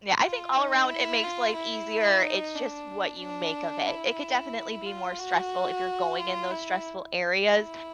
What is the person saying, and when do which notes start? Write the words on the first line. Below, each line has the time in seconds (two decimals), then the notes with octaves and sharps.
Yeah, I think all around it makes life easier, it's just what you make of it. It could definitely be more stressful, if you're going in those stressful areas,
0.23 F4
0.57 D#4
0.89 E4
1.23 F4
1.56 E4
2.22 D#4
2.55 D4
3.21 D4
3.87 E4
4.86 F4
5.19 F#4
6.19 F4
6.51 E4
7.50 E4